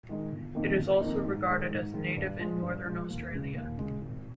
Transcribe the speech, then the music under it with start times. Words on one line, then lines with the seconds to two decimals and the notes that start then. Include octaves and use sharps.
It is also regarded as native in northern Australia.
0.09 D#3 G#3 D#4
0.32 G1
0.55 F2 D#3 A#3 D#4
0.78 G1
1.01 F2 D#3 A#3 D#4
1.25 G#2
1.47 D#3 G#3
1.70 G#2
1.94 D#3 G#3
2.17 G2
2.39 F3 G#3
2.62 G2
2.86 F3 G#3
3.09 D#2
3.31 C#3 G#3
3.55 D#2
3.77 C#3 G#3
4.01 G#1